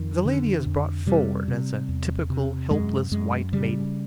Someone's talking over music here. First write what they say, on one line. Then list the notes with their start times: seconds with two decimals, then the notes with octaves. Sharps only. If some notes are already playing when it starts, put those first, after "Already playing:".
The lady is brought forward as a typical helpless white maiden.
Already playing: F2 D#3
0.25 D3
0.66 F2
1.06 C3 G3
1.48 C3
1.89 E2
2.30 C3
2.71 F#2 G#3
3.11 F#2 G#3
3.53 C#3 G3